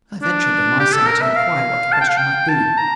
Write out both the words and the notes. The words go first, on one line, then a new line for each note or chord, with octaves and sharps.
I ventured, on my side, to inquire what the question might be.
D4
G4
A4
A#4
E5
F5
A5
G5
F5
G5
A5
A#5